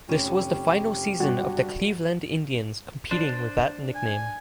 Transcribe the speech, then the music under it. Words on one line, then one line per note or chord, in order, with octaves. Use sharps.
This was the final season of the Cleveland Indians competing with that nickname.
F1 C#4 G4 D#7
G2 F#4
D4 C5
G#5